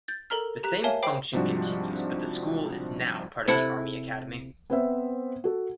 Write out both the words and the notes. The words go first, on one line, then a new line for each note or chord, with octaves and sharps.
The same function continues, but the School is now part of the Army Academy.
G6 A6
A4 A#4 A#5 F6
G4 A#5 F#6 B6
A#4 C#5 E5 F5 G#5 A5
C5 G5 B5 D6 C7
G#2 C3 F3 G3 D4 F#4
C3 E4 A4 F#5
B3 C4 B4 C5 E5
F#4 A4